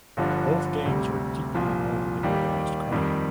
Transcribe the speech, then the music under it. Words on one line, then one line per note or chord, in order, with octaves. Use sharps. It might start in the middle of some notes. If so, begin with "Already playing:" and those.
Both gangs were deeply involved in organized crime.
G1 G2 D3 F3
D2 C3 G3
C2 A#2 F3
D#2 D#3 G3 G4
F2 D#3 G3